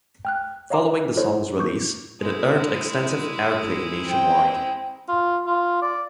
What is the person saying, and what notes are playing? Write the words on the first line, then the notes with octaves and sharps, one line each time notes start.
Following the song's release, it earned extensive airplay nationwide.
G5 F6 F#6
C#5 D#5 F5 A#5 C6 D6
E4 A4 C5 C#5 D#5
C#6 D6 G6
G#3 E4
C4 G5
F4
F4
D5